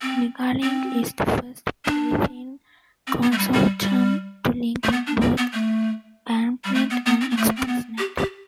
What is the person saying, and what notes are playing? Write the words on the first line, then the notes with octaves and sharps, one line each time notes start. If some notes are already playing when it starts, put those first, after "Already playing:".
MegaLink is the first Philippine consortium to link with both BancNet and Expressnet.
C4
C4
D4
C4
B3
A3
G3
G3
G3
A3
B3
D4
C4
B3
A3
G3
A3
B3
B3
C4
B3
A3
C4
B3
G4
G4